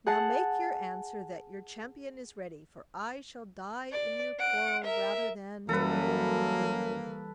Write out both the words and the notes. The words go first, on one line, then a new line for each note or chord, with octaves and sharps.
NOW make your answer that your champion is ready, for I shall die in your quarrel rather than to be recreant.
G#4 F#5 A5
D5
F#5 D7
A#4 E5
F#2 E3 G3 A#3 A4 B4